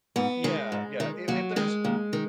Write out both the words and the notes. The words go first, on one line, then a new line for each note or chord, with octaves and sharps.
Yeah, yeah. If if there's
G#2 B3
D#3 G#3
G#2
D#3
D#2 F#3
D#3 G#3
D#2
D#3